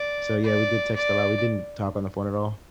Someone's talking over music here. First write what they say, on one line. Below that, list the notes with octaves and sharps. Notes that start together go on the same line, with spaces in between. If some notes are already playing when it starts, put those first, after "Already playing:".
So yeah, we did text a lot, we didn't talk on the phone at all.
Already playing: D5
D5
D5